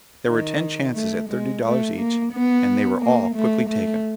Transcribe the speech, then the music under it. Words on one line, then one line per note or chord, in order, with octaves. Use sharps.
There were ten chances at thirty dollars each, and they were all quickly taken.
D#3
A3
G#3
A3
A#3
B3
A#3
A3
A3